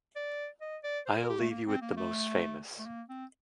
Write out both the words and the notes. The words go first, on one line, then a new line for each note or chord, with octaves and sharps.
I’ll leave you with the most famous.
D5
D#5
D5
C5
A#4
G4
A3
A#3
C4
A#3
A3
A3
A#3
C4